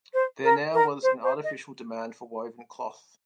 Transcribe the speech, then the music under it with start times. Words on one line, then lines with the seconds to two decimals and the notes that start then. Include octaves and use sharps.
There now was an artificial demand for woven cloth.
0.13 C5
0.43 A#4
0.73 A#4
1.02 C5
1.23 C5
1.43 D#5